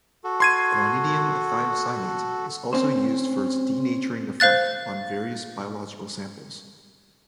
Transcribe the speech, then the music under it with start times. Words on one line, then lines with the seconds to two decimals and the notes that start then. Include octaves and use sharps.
Guanidinium thiocyanate is also used for its denaturing effect on various biological samples.
0.24 F#4 A4
0.40 C6 G#6 D#7
2.73 C4 C#4 C5
4.40 C5 F5 F#6 A6